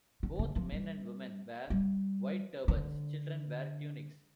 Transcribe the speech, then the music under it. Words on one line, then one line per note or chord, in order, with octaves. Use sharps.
Both men and women wear white turbans; children wear tunics.
D3
D3
F3
G3
G3
D3